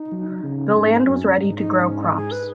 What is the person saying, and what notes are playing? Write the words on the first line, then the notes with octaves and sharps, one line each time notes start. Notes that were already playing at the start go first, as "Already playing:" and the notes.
The land was ready to grow crops.
Already playing: D#4
F#3
C#3
G#2 C#4
F#2 C#4
G#2 D#4
D#4
C#4
D#4
G#4
B4